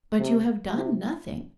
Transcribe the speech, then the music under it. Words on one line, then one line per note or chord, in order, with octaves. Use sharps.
'But you have done nothing.'
C3
C3